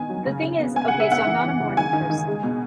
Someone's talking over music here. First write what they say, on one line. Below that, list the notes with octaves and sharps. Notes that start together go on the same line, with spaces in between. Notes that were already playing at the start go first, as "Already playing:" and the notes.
the thing is okay, so I'm not a morning person,
Already playing: B2 D#3 B3 G#5
F#3
C#3
C#3
B3
B3 G#5
F#5
C#3
E5
B3 F#5
E3
E3
C#3
D#3 G#5
D#3
D#3
G#3
B2